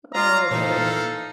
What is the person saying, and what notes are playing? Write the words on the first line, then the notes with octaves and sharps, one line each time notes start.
Oh, boy.
F4 F5 A#5
A#2 E3 D#4 A4